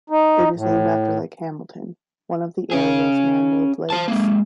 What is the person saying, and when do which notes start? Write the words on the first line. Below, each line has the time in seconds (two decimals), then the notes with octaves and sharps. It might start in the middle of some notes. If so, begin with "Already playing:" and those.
It is named after Lake Hamilton, one of the area's man-made lakes.
0.10 D#4
0.56 A2
2.71 C#4 G#4
3.90 C5 A5
4.08 G#3 A#3